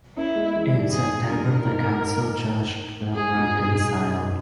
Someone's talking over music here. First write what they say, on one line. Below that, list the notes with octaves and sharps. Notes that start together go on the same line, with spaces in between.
In September the council judged them reconciled.
A#3 C#4 E4
G#3 B3
E3 G#3
D#3 G3
G#2 G#4
G2 A#4
A#2
G#2
G#2 G#4
G#2
G2 A#2
G#2 B2